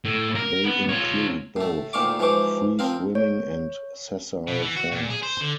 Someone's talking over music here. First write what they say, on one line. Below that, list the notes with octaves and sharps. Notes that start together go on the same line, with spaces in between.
They include both free-swimming and sessile forms.
A2
A#4
B3
F4 C#5
A2 A3
D2 A#2 D#3 F5 C#6 D6
G#2 E3 F3 C#6 D6
F3 C4 A#4 F5
C#5
B2
E3
F#4
A#2
G#4
C5
D3